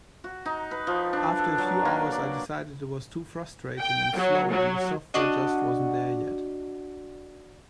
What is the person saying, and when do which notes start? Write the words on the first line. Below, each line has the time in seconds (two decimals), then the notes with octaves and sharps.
After a few hours I decided it was too frustrating and slow, and the software just wasn't there yet.
0.24 F#4
0.45 D#4
0.71 B4
0.87 F3
1.13 D4
1.39 A4
1.58 F#3
1.85 A#3
2.12 D5
3.78 G5
4.14 F#3
4.50 F#3
5.14 D4 F#4 D#5